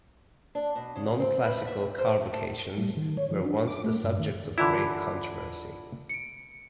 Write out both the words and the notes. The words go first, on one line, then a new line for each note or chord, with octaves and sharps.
"Non-classical" carbocations were once the subject of great controversy.
D4
B2
C#3
C4
B4
E5
D#2
C5
A4
G3
D#3
C#5
F3
D4
D6
A3
G2
D#3
D3 E3 E4 F4 D5 B5
C#7 D7